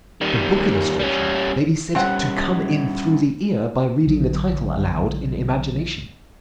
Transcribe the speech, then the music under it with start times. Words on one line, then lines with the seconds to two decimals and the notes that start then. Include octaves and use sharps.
The book illustration may be said to come in through the ear, by reading the title aloud in imagination.
0.21 D#3 G3
0.99 G3 C#4
1.95 G3 C4 C#4 F#5
4.07 A#1 D3 F#3